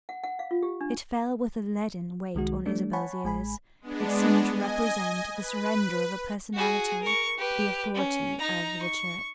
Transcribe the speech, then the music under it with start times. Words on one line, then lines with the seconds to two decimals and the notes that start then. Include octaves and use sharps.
It fell with a leaden weight on Isabel's ears; it seemed to represent the surrender of a personality, the authority of the Church.
0.09 F#5
0.24 F#5
0.39 F5
0.51 F4
0.62 G4
0.81 D4
2.35 C2 D#3 G#3 F#4
2.66 G3 A3 D4
2.93 C#5 F#5 G#5 A5 B5 C#6
3.24 A1 G#3 G#5 B5
3.81 G#3 B3 D4
4.50 D#5 G#5
5.34 B4
6.54 F#4 G#4
7.03 A#4 C#6
7.38 G4 B4
7.95 C#4
8.39 D#4 A#5
8.83 C#6